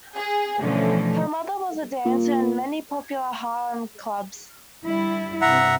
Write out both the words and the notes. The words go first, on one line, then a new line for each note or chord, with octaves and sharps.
Her mother was a dancer in many popular Harlem clubs.
G#4
B2 D3 E3 F3 A3 C#4
A#2
D3 G3 E4
G2 C3 E5 F#5 A#5